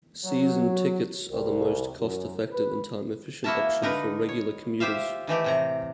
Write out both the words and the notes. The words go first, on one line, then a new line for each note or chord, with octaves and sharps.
Season Tickets are the most cost effective and time efficient option for regular commuters.
F#3
C2
F#2
B4
A#3 E4 F#4 A#4 E5 A5
D3 D#4 A#4 B4
C#5
F4 G4 C5 E5 F5
D#3 E3 A3 G4
A2 C3 A#5